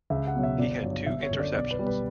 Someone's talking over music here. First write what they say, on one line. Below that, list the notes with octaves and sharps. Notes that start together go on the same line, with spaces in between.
He had two interceptions.
C#2 E5
F#5
B2 F#3
E5
G1 D5
G2 F#3
G1 E5
C#5
F#2 D3
D5
B1 D5
B4
B2 G3
B4